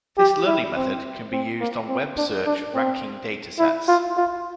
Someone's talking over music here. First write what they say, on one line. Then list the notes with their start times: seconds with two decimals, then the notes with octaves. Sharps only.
This learning method can be used on web-search ranking data sets.
0.18 G4
0.47 E4
0.76 C4
1.33 C4
1.61 A#3
1.89 C4
2.18 D4
2.46 D4
2.74 C4
3.59 E4
3.88 F4
4.17 F4